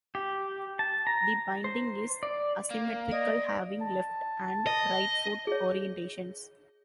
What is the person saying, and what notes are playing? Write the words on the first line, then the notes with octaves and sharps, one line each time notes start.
The binding is asymmetrical, having left and right foot orientations.
G4
A5
A#5
C5
D5
A#3
D5 D#5
A5
D#5
G#4 C#5